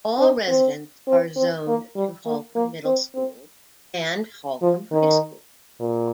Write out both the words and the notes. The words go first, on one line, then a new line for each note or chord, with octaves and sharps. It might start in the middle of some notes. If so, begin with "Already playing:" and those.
All residents are zoned to Holcomb Middle School and Holcomb High School.
C4
C4
C4
C4
A#3
G3
A#3
A#3
C4
C4
F3
D#3
A#2